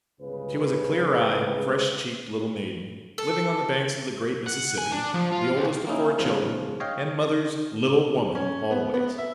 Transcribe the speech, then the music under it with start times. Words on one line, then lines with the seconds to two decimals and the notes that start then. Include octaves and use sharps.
She was a clear-eyed, fresh-cheeked little maiden, living on the banks of the great Mississippi, the oldest of four children, and mother's "little woman" always.
0.21 G1 C#2 C#3 G#3 B4
3.18 A4
4.46 F#5
4.78 G#5
4.92 D4
5.14 F3
5.32 F4
5.56 C#2
5.87 A#3 C#4 D#4 E4
6.18 E2 G#2 C#3 F3 F5
6.80 C#5 D#5 F5 G5
8.35 C#4
8.71 B3
8.94 B3
9.18 E5